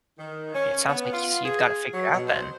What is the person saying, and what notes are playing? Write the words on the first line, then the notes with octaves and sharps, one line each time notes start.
I mean, it sounds like you see you've gotta figure out then.
D#3
C#4
B3
F4
G#4
F#3
B2
C5